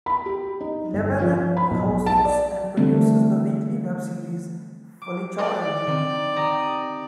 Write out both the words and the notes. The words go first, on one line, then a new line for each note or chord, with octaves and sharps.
Llewellyn hosts and produces the weekly webseries "Fully Charged".
B5
G4
D#4
G1
F3
B5
B1
A5
D5
D3 E3 F3 G3 A3 C4
D6
D5
D#3 C4
G4 A#5 D#6